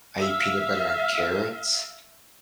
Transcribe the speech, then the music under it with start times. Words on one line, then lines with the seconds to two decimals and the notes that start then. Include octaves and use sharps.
I eat peanut butter on carrots,
0.19 E5 F5